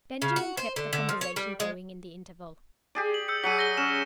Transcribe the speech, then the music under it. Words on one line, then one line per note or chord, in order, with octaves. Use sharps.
Benjamin kept the conversation going in the interval.
C#3
F#4
C5
D3
D3
F3
C#5
G3
G#3
G4 G#4 D5
F#7
E6 G6 C#7
F#3 G#4 B6 C#7 D#7
E6 A#6 G7
C#4 E7